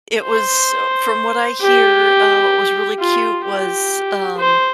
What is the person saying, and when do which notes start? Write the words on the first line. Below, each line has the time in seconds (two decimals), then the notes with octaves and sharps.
it was, uh, from what I hear, uh, what was really cute was, um,
0.23 C5
1.61 G4
2.99 F4
3.45 G4
4.37 C5